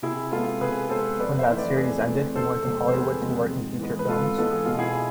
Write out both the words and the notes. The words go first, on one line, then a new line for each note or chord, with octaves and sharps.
When that series ended, he went to Hollywood to work in feature films.
C3 E4 G#4
G#3 B3 F4 A4
C3 G#4 B4
G#3 B3 A4 C5
F2 B4 D5
C5 E5
E3 A3 C4
B4 D5
F2 G#4 B4
E3 A3 C4
E2 A4 C5
C3 F3 G#3 A4 C5
C5
E2 G#4 B4
C3 F3 G#3
G#2
E3 G#3 B3
B4
G#2 F4 A4
E3 G#3 B3 A4
G#4
B2 F4
E4 G#4